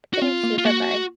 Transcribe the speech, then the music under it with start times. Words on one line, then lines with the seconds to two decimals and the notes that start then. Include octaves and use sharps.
thank you, bye-bye.
0.13 F#4
0.22 C4 F4
0.44 A#3
0.58 F4
0.64 A#3 F#4